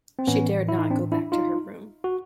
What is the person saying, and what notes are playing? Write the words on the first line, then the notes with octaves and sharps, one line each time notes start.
She dared not go back to her room.
C4
A2 E3 B3 C#4
E4
D#4
C4 D4
D4 E4
D#4 F4
F#4